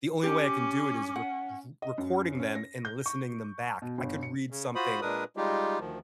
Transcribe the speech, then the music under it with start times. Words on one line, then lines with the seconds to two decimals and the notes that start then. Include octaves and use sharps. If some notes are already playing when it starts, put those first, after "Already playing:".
the only way I can do it is r r recording them and listening them back. I could read something
0.23 C#4 G4 D6
1.16 F#5
1.82 D#5
1.98 F#2
2.39 C#4
2.55 A#6
2.85 G6
3.06 C#6
3.82 B2
3.98 G1
4.23 C#7
4.50 C#3
4.75 F4 F#4 C5 B5 D#6
5.01 A#2 G#3 D4 A#4 B4 D#6
5.37 G3 G#3 D#4 F4 G4
5.80 D2 D#3 F3